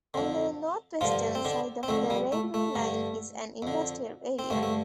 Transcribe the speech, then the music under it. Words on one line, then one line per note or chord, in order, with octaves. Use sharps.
On the northwestern side of the railway line is an industrial area.
F2 D3
G2 D3 F3 F4
C4
D3 D4
C4
F2 D3 A3
G3
A3
A3
G2 D3
F2 D3
C4
G2 D3 A3
A3